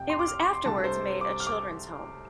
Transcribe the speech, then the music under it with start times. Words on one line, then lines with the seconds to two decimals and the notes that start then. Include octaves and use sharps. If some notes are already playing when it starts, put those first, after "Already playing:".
It was afterwards made a children's home.
Already playing: F1 F2 C3 F3 G5
0.10 C6
0.19 D6
0.28 F6
0.41 D6
0.53 C6
0.65 C2 C3 A3 D4 A5
0.84 C5
1.21 D6
1.40 F6
1.47 D6